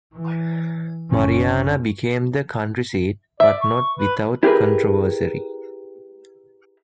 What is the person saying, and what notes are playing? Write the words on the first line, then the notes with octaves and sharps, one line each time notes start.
Marianna became the county seat, but not without controversy.
E3
F#1 C#4
D5 E5
C#6
B4
E4 G4 G#4 A#4 B4